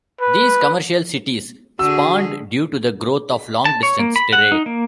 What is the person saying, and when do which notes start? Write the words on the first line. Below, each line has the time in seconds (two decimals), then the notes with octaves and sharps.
These commercial cities spawned due to the growth of long-distance trade.
0.21 B4
1.79 D3 F#4 G#4 E6
3.65 A5
3.83 C#5
3.99 A#3
4.16 B5
4.33 F#5
4.52 D#4
4.66 A#3